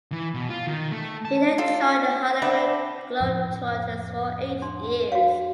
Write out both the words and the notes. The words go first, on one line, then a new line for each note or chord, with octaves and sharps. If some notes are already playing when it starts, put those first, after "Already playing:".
He then joined the Harlem Globetrotters for eight years.
E3
B2
F4
D#3
A3
A5
F4 A4
D4 B4 E5 F#5
F2 A2 F3
D4 C6
F#4 F5